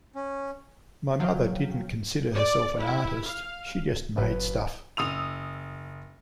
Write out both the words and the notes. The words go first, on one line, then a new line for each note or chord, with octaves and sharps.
My mother didn't consider herself an artist, she just made stuff.
C#4
F3 F#3 F5 G5
D5
E4
F5
F#1 A2 F#3 B4
F#1 D#6 E6 F7